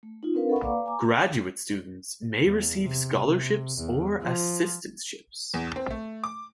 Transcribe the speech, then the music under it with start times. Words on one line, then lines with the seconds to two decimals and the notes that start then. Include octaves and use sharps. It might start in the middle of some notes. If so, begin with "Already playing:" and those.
Graduate students may receive scholarships or assistantships.
0.03 A3
0.23 D#4 F4
0.34 C4 D4 A#4 B4 F5
0.49 A4 D#5 F#5 B5 C#6
0.62 A#3 B4 D5 F5 A#5 D6
0.86 G#5 A#5 D6
2.44 E2
2.83 C3
3.78 E2
4.21 F3
5.54 E2
5.76 C4
5.91 A3
6.24 D6